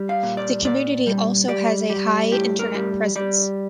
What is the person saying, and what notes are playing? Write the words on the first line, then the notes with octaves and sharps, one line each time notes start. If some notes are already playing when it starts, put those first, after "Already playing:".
The community also has a high Internet presence.
Already playing: G3
F5
A#2
D5
A#2 D5
G3
G3 D5
G3
A2 G4
A#4
G3
G3 D5